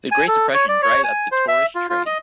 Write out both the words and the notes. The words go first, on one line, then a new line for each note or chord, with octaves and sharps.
The Great Depression dried up the tourist trade.
G#5
A4
C#5
D5
C#5
G#5
C5
E5
F4
F4
D#5